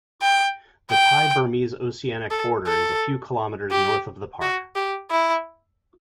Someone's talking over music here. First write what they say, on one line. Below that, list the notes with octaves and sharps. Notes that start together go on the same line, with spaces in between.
The Thai-Burmese oceanic border is a few kilometers north of the park.
G5
G5
A4
A4
G4
F#4
G4
E4